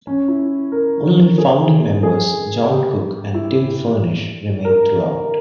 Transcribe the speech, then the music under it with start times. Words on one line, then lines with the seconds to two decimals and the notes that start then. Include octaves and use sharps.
Only founding members Jon Cook and Tim Furnish remained throughout.
0.07 C#4
0.28 E4
0.72 A#4
1.38 G#4
2.03 G#4
2.69 G4
3.34 E4
4.65 A#4